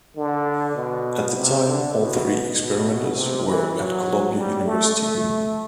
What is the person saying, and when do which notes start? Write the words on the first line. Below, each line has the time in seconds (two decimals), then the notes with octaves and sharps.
At the time, all three experimenters were at Columbia University.
0.17 D3
0.76 B2
1.36 C3
1.67 D3
1.96 B2
2.56 B2
3.16 C3
3.45 E3
3.75 F#3
4.35 G3
4.65 A3
4.94 A3